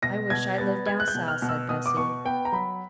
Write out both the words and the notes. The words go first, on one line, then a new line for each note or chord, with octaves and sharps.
'I wish I lived down South,' said Bessy.
B2 A#6
B2 G#6
B3 A6
G#3 G#6
F#6
G6
B2
F6
B2
E6
B2 D#6
D6
B2 C#6
B3 G5
A#5
F#3 B5